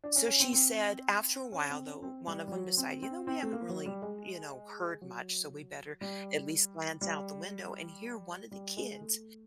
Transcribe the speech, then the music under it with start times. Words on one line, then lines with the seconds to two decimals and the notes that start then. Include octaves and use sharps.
so, she said after a while though, one of ‘em decided, you know, we haven't really, you know, heard much, so, we better at least glance out the window, and here one of the kids
0.04 D4
0.16 C#4
0.28 C#4
0.40 C4
0.53 C4
1.52 C#4
1.69 C4
1.86 C#4
2.02 C4
2.27 G3
2.48 G3
2.52 F#3
2.77 C4
3.02 C4
3.27 C4
3.43 A3
3.53 A#3
3.69 F#3
3.86 G3
4.02 G#3
5.02 F#3
6.01 G3
7.01 G3
8.52 G3
8.77 G#3
9.01 A3